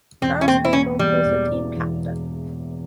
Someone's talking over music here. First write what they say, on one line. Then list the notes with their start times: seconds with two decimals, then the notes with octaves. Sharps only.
Charles Nagle was the team captain.
0.22 E1 C4
0.41 C#4
0.47 A#3 C4
0.65 E4
0.73 A#3 C#4
0.99 E2 G3
1.25 E1
1.51 E3
1.77 E1